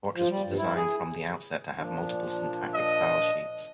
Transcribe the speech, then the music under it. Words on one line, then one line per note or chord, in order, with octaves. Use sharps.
Fortress was designed from the outset to have multiple syntactic stylesheets.
F3
G3
G2
E4
G#4
A#2 F3 D4
D#5